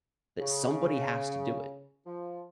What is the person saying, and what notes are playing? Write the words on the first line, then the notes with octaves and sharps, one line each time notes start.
that somebody has to do it.
C#3
F3